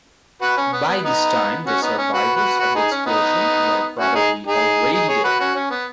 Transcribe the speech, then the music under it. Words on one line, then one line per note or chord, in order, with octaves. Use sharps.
By this time the survivors of the explosion were probably already dead.
F#4 B4
C#4
B3
B3
B3 D#4
C#4 F#4
B3 D#4
C#4
F#4 B4
F#4 B4
F#4 B4
D#4 G#4
C#4
B3 D#4
C#4 F#4
D#4 G#4
D#4 G#4
D#4 G#4
G#4 C#5
F#4 B4
C#4 F#4
C#4
B3